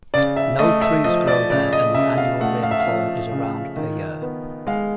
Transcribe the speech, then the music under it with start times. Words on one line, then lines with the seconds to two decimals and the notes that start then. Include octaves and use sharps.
No trees grow there and the annual rainfall is around per year.
0.14 C#3 D5
0.36 E5
0.59 A3 D#5
0.82 E5
1.04 F3 D#5
1.27 D5
1.50 C#3 D5
1.73 D#5
1.95 C#3 E5
2.18 F5
2.40 A3 F#5
2.63 F5
2.71 E5
2.80 F5
2.86 F3
3.31 C#3
3.77 D#3
4.22 B3
4.67 G#3 F5